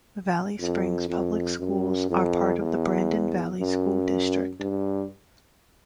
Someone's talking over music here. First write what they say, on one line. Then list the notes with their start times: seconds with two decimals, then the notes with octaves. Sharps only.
Valley Springs Public Schools are part of the Brandon Valley School District.
0.60 F2
1.09 F2
1.59 F#2
2.09 F2
2.59 E2
3.60 F#2
4.60 G2